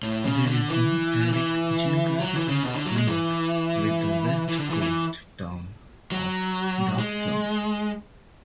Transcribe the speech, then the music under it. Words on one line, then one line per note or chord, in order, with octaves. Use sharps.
There is no direct geographical link with the West Coast town of Dobson.
A2
C#3
D3
E3
E3
F#3
E3
C#3
B2
D3
F#3
G#3
E3
E3
D3
E3
E3
F#3
G#3